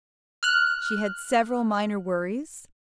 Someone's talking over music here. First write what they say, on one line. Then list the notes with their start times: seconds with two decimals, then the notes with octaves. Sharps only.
She had several minor worries.
0.43 F6 F#6